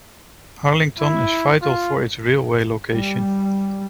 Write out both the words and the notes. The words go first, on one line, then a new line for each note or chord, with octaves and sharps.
Arlington is vital for its railway location.
E4
F4
G3